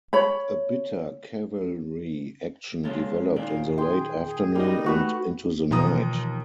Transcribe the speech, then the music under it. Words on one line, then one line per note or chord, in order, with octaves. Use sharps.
A bitter cavalry action developed in the late afternoon and into the night.
C#5 B5
G#3 C#4 A4 F5
A#2 D#3 D5 F5
G#4 G5 C6
G#4
G3 A#3 D#4 D#5
A3 F#4 B4
D#2 B2 E3 F3 A#5 D#6